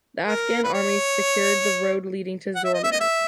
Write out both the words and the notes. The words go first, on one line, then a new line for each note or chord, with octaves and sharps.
The Afghan Army secured the road leading to Zormat.
A#4
B4
C#5
F#5
E5
D#5
E5
D#5
E5